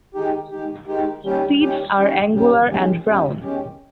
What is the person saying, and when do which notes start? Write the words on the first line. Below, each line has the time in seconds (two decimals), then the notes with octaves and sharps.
Seeds are angular and brown.
0.14 D#3 G#3 D#4 G4
0.51 D#3 G#3 D#4 G4
0.88 D#3 G#3 D#4 G4
1.24 D#2 D#3 G3 C#4 G4
1.60 D#2 D#3 G3 C#4 G4
1.96 D#2 D#3 G3 C#4 G4
2.33 D#2 D#3 G3 C#4 G4
2.69 E2 D#3 G#3 C#4 G4
3.06 E2 D#3 G#3 C#4 G4
3.42 E2 D#3 G#3 C#4 G4